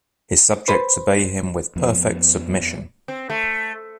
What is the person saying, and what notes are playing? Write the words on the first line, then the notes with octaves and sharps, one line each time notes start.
His subjects obey him with perfect submission.
B4 C5
F2 F3 B3
C4
A3